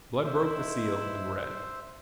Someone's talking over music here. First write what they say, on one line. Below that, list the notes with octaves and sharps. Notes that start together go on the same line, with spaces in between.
Blood broke the seal, and read.
D#4 E4 C5 E5